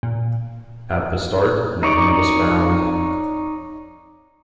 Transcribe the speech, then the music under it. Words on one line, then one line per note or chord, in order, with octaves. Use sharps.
At the start nothing was found.
A#2
D#4 C#5 D5